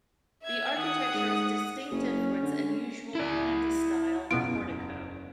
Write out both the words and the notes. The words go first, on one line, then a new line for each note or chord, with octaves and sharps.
The architecture is distinctive for "its unusual pentastyle portico".
E5 G#6
D#3 F#5 D#6
G#2
F#1 C#4
D3
E4 D5
F#1 E2 B2 B3 F4 D7